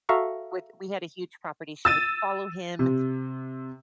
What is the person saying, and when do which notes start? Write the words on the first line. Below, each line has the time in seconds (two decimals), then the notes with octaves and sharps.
would we had a huge property- she would follow him,
0.09 F#4 A4 E5 F5 A#5 C#6
1.85 E6 A6 D#7
2.79 C3